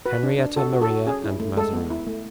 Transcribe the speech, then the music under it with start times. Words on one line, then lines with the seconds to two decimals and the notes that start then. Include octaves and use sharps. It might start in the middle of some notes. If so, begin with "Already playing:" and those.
Henrietta Maria and Mazarin.
0.06 F#4 B4
0.23 D4
0.39 D4
0.56 F#4 A4
0.73 F#4
0.82 A4
0.90 F#4
1.07 C#4 G#4
1.24 E4
1.40 A3
1.57 G#3 A4
1.73 B3
1.90 E4
2.07 A3